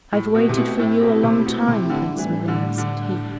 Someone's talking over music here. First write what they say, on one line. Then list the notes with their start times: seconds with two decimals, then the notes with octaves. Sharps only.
"I've waited for you a long time, Prince Milan," said he.
0.13 A2 A3 C4 E4 G4
0.35 B2
0.49 C3
0.57 B2
0.79 A2
1.01 B2
1.23 C3
1.46 B2
1.68 C3
1.90 A2 D3 G3 D4
2.18 E3
2.48 D3
2.78 D3